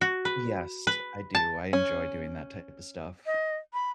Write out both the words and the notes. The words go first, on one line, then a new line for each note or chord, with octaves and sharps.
Yes, I do. I enjoy doing that type of stuff.
F#4
B4
B4
A5
C#4
D#5
B5